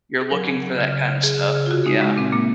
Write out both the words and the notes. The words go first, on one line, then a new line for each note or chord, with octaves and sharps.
you're looking for that kinda stuff. Yeah.
G#4
F#3 A#4
C#3
F#3
C#3
C#3
C#3
C#3 G#4
C#3
G#4
C#3
F4
C3 F#4
G#3 D#4
G#3 C#4
A#2 C4
A#2 A#3